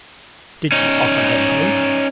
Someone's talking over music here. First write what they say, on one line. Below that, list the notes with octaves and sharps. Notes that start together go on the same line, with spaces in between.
"Did you offer her money?"
C#4 D#4